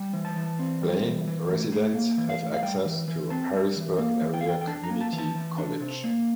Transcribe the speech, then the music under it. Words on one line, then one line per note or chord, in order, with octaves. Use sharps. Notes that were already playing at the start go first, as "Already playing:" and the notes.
Blain residents have access to Harrisburg Area Community College.
Already playing: G3
E3
A5
E3
C4
G3
E3
E3
A2
A2
A#3
E3
F5
A2
F5
G3 G5
E3
E3
C4 A5
G3
E3
A#3
E3
G5
F5
E3 G5
G5
D4 A5
A#5
A#3
A5
E3
A5
E3
D4
C3
A#3